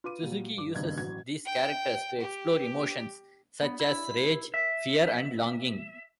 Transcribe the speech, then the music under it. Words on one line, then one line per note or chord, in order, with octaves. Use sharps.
Suzuki uses these characters to explore emotions such as rage, fear and longing.
F4 B4 D6 D#7
A#2 F#3 G3
G2 D6
F#1 G2 B2 D#3 G#6
A1 F#3 G#6
G5
G4
B3
E4
E5